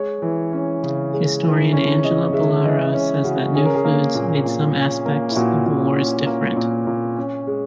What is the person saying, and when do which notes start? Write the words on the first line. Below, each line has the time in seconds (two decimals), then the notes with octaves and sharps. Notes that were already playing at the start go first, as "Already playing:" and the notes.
Historian Angela Ballara says that new foods made some aspects of the wars different.
Already playing: G#3 C#5
0.22 E3
0.53 C#4
0.83 C#3
1.13 G#3
1.43 E3
1.73 C#4 C#5
2.03 C#3 D#5
2.33 G#3 E5
2.64 E3 D#5
2.93 C#4 C#5
3.24 C#3 F#4
3.55 C#4 G#4
3.65 A#4
3.75 G#4
3.85 A#3
4.15 A#2
4.45 A#2
4.75 C#4
5.06 A#3
5.30 E4
5.36 A#2 F#4
5.66 A#2
5.96 C#4
6.27 A#3
6.56 A#2
6.87 A#2
7.16 C#4
7.47 G#3